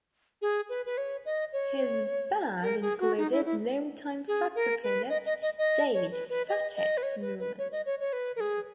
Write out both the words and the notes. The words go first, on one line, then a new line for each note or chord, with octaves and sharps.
His band included longtime saxophonist David "Fathead" Newman.
G#4
B4
B4
C#5
D#5
C#5
A#4
G#4
F#4
D#4
E4
E4
G#4
A#4
B4
D#5
D#5
D#5
D#5
C#5
B4
B4
D#5
D#5
B4
C#5
B4
B4
C#5
D#5
C#5
C#5
B4
A#4
G#4